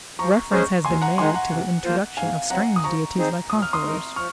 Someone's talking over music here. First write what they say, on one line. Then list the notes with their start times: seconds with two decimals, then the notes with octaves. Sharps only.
Reference has been made to the introduction of strange deities by conquerors.
0.19 F3 A#5 C#6
0.52 G#3 C#4 G#4 C5 A#5 C#6
0.85 D#2 G#5 C6
1.02 F#5 A#5
1.18 D#3 G#3 D#4 G#5 C6
1.34 F#5 A#5
1.51 C3 F#5
1.84 F3 A#3 F4 C5
2.17 G#2 F5 G#5
2.50 F#3 C4 F#5 A#5
2.76 D#6
2.84 F3 A#5 C#6
3.18 C4 D#4 G#4 C5
3.50 A#2 D#6
3.62 F6
3.73 C6 D#6
3.83 G#3 D#4 A#4
4.16 F3 C#6 F6